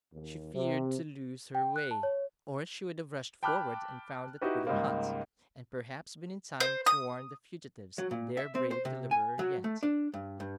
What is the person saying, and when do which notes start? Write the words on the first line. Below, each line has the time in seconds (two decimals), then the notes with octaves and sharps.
She feared to lose her way, or she would have rushed forward and found that wooden hut, and perhaps been in time to warn the fugitives and their brave deliverer yet.
0.14 D#2
0.55 C3
1.55 G5
1.76 F#6
1.91 A5
2.03 C#5
3.43 G5 A5 B5 D6 F6 F#6
4.41 D#4 E4 F#4 G4 B4
4.67 C#2 G#2 G3 A#3
6.60 C5
6.86 D#6
7.98 F#3
8.11 A#2
8.37 E5
8.55 C4
8.71 C5
8.85 C3
9.11 G#5
9.39 F#3
9.64 A3
9.83 D4
10.14 G2
10.40 G2